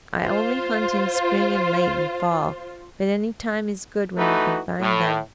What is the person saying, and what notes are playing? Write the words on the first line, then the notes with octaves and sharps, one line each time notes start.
I only hunt in spring and late in fall, but any time is good when you can find them.
F4 C5
E3 A3 D#4 F#4 B4
A2